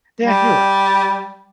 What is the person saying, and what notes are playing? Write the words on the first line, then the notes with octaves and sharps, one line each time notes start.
yeah, you're right.
G3